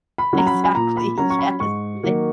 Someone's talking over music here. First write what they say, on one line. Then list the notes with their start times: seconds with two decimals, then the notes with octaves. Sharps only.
Exactly, yes, like
0.18 B5
0.33 F#3 C#4
0.38 A#5
0.47 B5
0.64 B5
0.75 A#2 A#5
0.97 B5
1.18 F#3 C#4 A#5
1.30 C#6
1.39 B5
1.60 G#2 C#6
2.03 D#3 F#3 A#3